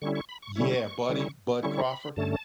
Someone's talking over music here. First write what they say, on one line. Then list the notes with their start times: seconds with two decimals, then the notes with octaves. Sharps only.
Yeah, Buddy Bud Crawford.
0.02 D3 G3 C#4 E4 C#6
0.15 C#6
0.29 B5
0.42 C#6
0.55 D3 G3 C#4 E4 C#6
1.09 D3 G3 C#4 E4
1.63 D3 G3 C#4 E4 C#6
1.90 B5
2.16 G2 D3 A3 C#4 A5